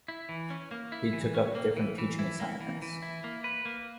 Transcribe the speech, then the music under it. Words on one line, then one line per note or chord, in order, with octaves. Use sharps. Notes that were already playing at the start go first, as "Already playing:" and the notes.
He took up different teaching assignments.
E4
E3
C#4
A#3
E4
E3
C#4
A#3
E3
E3
E4
A#3
E3
E3
E4
A#3
B4
A#3